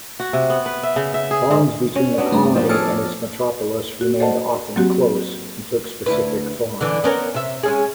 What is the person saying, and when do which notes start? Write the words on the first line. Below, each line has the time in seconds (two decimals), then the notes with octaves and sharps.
Bonds between a colony and its metropolis remained often close, and took specific forms.
0.20 F#4
0.33 C3
0.50 B3
0.66 B4
0.83 E5
0.96 C#3
1.14 E5
1.31 G#4
1.51 G#2
1.96 C#4
2.18 B3 D4 F#4
2.32 G2 A3
2.55 D#3 F3 D4
2.69 G#4 A4 C#5 D5 A5 F6
4.01 F#4
4.20 A4 C5 D5 D#5 F#5 A5
4.76 F#3 A#3 C4 F#4 G4
6.06 D2 E4 B4
6.81 D3 E3
7.04 B3 C#4 A#4
7.34 C3 E5
7.63 G#3 C#4 G#4